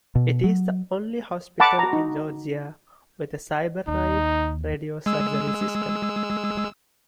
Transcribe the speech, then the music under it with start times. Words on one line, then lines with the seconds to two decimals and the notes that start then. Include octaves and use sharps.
It is the only hospital in Georgia with a Cyberknife radiosurgery system.
0.15 B2
0.44 F#3
1.60 F#5 A5 B5 D6
1.79 F#4 A#5
1.93 D#4
3.87 D#2 D#4
5.06 G#3 E6